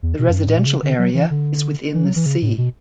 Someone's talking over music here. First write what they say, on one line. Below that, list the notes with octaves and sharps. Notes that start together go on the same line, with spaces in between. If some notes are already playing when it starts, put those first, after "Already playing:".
The residential area is within the sea.
E2
B2
F#2
G2
A2
B2
C#3
D3
F#3
E3
D3
E3
F#3
E3
C#3
A2
B2